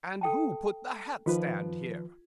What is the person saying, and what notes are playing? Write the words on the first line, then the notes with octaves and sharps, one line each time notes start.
"And who put the hat-stand here?"
A4 G5 A5
D#3 F3 F4 B4